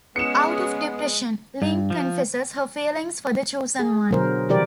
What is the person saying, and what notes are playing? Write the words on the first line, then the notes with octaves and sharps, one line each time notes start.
Out of depression, Ling confesses her feelings for The Chosen One.
G#3 B3 C#4 G#4 C#7 E7
G2
F3
G#4
B2 D3 F#3 A#4 C5
C3 E3 G3 G4 A#4 D5